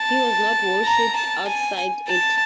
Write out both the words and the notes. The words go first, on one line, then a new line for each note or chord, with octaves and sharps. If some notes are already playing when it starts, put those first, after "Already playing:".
He was not worshiped outside it.
Already playing: A5
A#5
A5
G#5
A5